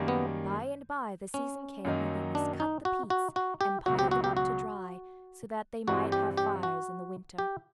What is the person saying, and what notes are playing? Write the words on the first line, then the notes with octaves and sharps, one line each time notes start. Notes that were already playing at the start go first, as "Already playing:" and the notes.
By and bye the season came when they must cut the peats and pile them up to dry, so that they might have fires in the winter.
Already playing: F#2 D#3 G3 A#3
B3
C#4
F#2 D#3 F#3 A#3 D#4
D4
D#4
F#4
F#4
F#4
G4
C#2 B2 F#3 F#4
G4
F#4
G4
F#4
G2 E3 G3 C4 F#4
G4
G4
F#4
G4